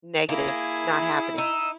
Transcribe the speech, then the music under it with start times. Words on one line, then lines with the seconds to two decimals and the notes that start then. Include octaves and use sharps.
negative, not happening,
0.29 A#3 E4 G#4
1.38 D#4 E6